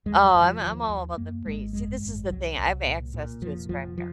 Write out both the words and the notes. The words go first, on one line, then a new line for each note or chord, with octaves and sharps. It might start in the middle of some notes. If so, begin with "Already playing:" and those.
Oh, I'm I'm all about the free. See, this is the thing, I have access to a scrap yard.
D#2 G#3
F#3
F1
F3
D#2 F3
D#2
F#2 A#3
G#1 G#3
F#2 G#3
G#1
C2 F#3
C2
A#2
A#2
F1 F3
F1 F3
F3